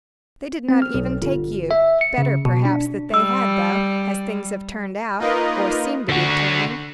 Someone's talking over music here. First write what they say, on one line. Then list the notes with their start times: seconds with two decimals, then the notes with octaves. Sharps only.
They did not even take you; better, perhaps that they had though, as things have turned out, or seem to be turning.
0.69 C4
0.82 F6
0.94 B1
1.22 G1
1.71 E5
2.01 C#7
2.18 C#3
2.45 B2
2.65 D4
3.14 G3 E6
5.19 A#3 D#4 F4 A#4 B4 D#5
6.09 D3 F#4